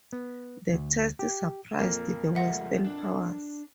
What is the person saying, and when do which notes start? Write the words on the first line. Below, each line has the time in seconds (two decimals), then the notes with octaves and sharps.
The test surprised the Western powers.
0.13 B3
0.73 D2
1.19 G4
1.79 F2 A#2 A#3
2.35 F3 G3 G#3 E5 F#5 A#6
2.84 D4